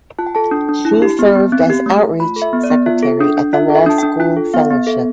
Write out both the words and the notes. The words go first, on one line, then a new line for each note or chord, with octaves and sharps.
She served as Outreach Secretary at the Law School Fellowship.
F4 A5
G5
A4 A5
D4
D4
E4
G4
B3
B3
C4
G4
A3
A3
F4 B5
A4
E5
B3
D5
B3
F4 E5
A4
D4
D4
F4 E5
A4
E5
D4 A5
D4 G5
F4 G5
A4
B3 F5
B3
A4 E5